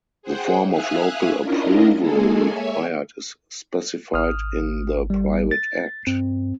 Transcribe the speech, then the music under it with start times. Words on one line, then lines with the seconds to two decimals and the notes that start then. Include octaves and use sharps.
The form of local approval required is specified in the private act.
0.22 G#4 C5 F#5 G5
0.68 E5 F5 G#5 D#6 F6 F#6
1.40 C#4 D4 E4 F4 A#4 D#5
1.98 G#3 A#3 G#4 A4 G#5
2.48 C#5 E5 G#5
4.14 G#1 D#6 F6
5.10 G3
5.51 A6
6.07 G2 C4